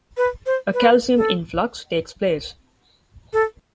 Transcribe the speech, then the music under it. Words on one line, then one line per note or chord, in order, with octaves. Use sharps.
A calcium influx takes place.
B4
C5
B4
A4
A4